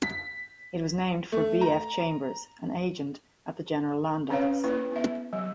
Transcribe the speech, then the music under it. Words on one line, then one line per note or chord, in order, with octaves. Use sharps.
It was named for B. F. Chambers, an agent at the General Land Office.
B6
A3
A#5
C4 C#4 B4 C#5 F5
A#3 E4 B4
B3 E5
F#3